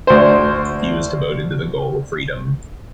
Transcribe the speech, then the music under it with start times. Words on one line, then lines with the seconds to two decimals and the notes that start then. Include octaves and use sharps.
He was devoted to the goal of freedom.
0.07 D2 C5